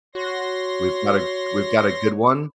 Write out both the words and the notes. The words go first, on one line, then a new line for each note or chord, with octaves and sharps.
we've got a we've got a good one.
F#4 C#5 C6 A#6